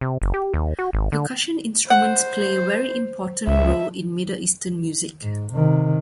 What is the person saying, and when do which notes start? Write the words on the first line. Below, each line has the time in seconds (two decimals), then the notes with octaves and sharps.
Percussion instruments play a very important role in Middle Eastern music.
0.01 C3
0.22 F#1
0.34 G4
0.54 D#2
0.79 F#4
0.93 G#1
1.12 D3
1.90 C5 F#5
3.47 C#2 E5
5.22 G#2
5.52 C3 D#3